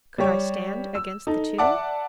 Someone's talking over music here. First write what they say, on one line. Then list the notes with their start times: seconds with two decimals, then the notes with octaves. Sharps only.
Could I stand against the two?
0.18 G3 G4 C#5
0.95 E6
1.27 D#4 A4
1.58 D5 E5 F#5 A5 D6